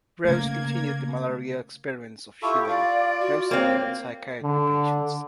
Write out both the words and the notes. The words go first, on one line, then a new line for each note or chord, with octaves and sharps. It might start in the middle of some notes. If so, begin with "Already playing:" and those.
Rose continued the Malaria-experiments of Schilling, mostly with psychiatry patients.
C#3 A3 A#3 G#6
E4 F4 G4 A4 C#6
F4 D5 F5
F#4
A#3 C4 C#5
D3